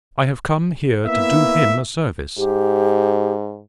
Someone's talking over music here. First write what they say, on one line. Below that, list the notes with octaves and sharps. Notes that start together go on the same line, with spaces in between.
I have come here to do him a service.
A#3 B3 E4 E5
G#2 G4